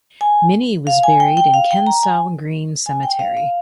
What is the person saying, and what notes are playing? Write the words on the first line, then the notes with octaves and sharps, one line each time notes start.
Minny was buried in Kensal Green Cemetery.
G#5
F5
G#5
G5
G5
F5
G5
A#5
G#5
G#5
G5
F5
F5